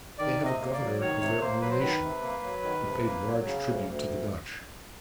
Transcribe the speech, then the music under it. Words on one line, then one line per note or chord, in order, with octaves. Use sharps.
They have a governor of their own nation, but pay large tribute to the Dutch.
D#3 D5
C3
D#5
A#3
D5
F#3
D#3 C#5
C3 C#5
A#3 C5
F#3 B4
C5
D#3 B4
C3
A#3
F#3
D#3
C3
A#3
F#3
C#3
D2
D2